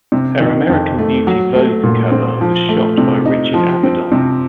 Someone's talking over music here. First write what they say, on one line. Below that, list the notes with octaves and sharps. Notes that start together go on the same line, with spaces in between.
Her American Beauty "Vogue" cover was shot by Richard Avedon.
C3
D#3
F2
A3
F#3
A3
A#2
C4
F3
A3
C3
D#4
F3
C4
C3